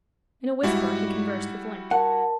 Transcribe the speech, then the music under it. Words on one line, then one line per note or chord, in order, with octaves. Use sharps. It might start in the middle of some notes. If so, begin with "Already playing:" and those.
In a whisper he conversed with Link.
G#2 G3 E4 F#4
A#4 F#5 A5